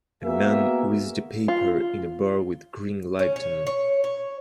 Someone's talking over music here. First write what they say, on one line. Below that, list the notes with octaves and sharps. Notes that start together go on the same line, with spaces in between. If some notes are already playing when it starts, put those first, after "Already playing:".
A man reads the paper in a bar with green lighting.
A#3 B3 F#4 G#4 A#4 E5
F4
C#4
C#5
C#5
C#5